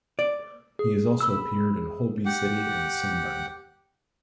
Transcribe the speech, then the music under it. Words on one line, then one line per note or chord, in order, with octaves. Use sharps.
He has also appeared in "Holby City" and "Sunburn".
D5
G#4
B5 E6
G4 F#5